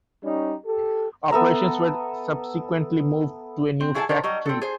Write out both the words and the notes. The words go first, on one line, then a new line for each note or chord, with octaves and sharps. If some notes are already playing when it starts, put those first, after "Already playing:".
Operations were subsequently moved to a new factory.
G3 C#4 D#4
G4 A4
B3 A4 E5 A#5
C4
F#3 E4 G#4 A4 D#5 A5
D#3 D4 A#4 C5
F#3 G3 D#5
C4 A4
G#4 C5